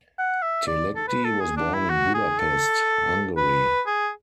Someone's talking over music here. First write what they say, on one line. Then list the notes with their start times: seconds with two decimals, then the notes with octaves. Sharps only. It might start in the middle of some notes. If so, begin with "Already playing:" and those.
Telegdi was born in Budapest, Hungary.
0.19 F#5
0.42 E5
0.67 D5
0.96 A4
1.08 B4
1.24 A4
1.41 G#4
1.57 D4
1.74 E4
1.90 F#4
2.14 G#4
2.39 A4
3.37 B4
3.87 G#4